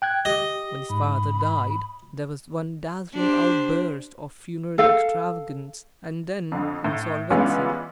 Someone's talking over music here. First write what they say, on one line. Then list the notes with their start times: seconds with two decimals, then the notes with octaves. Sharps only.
When his father died, there was one dazzling outburst of funeral extravagance, and then insolvency.
0.02 G5 F#6 G#6
0.25 G4 D#5 A#6
0.90 G#2 B5
3.14 D4 G4 C5
4.78 A4 F5
6.52 F2 D3
6.84 A2
7.30 E3 G3 G#3 B3 C#4 F4